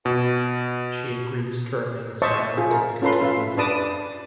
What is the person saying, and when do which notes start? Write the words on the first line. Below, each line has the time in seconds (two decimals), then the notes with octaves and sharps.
She agrees to remain silent and continue the lie.
0.06 B2
2.22 C5 C#5 D#5 E5 A5 C#6
2.57 F4 G#4
2.70 A#4
3.02 C#4 F4 A4 B4 C6
3.22 F4 E5
3.58 D4 B4 D5 A5 D6 D#6